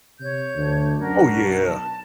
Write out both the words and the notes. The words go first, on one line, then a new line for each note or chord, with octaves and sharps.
Oh, yeah.
C3 C#5 G6
D2 D4
F#2 F#4 A#4
B1
A5